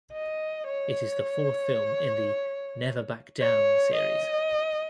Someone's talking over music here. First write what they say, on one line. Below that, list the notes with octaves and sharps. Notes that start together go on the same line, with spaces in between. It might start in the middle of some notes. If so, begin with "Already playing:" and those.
It is the fourth film in the "Never Back Down" series.
D#5
C#5
C#5
D#5